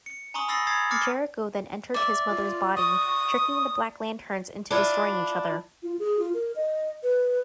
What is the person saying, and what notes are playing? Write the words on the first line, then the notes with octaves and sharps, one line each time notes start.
Jericho then entered his mother's body, tricking the Black Lanterns into destroying each other.
C#7
G#5 A#5 C6 C#6 D#6 F#7
B5 D#6 E6 A6 A#6 C7
A#5 B5 D#6 G#6 A6 C7
D6 F6 A6 C7 C#7
D5 E5
F4
C#6 D#6
D4 E4 F4
F4
G#4
F4
A#4
D#5
B4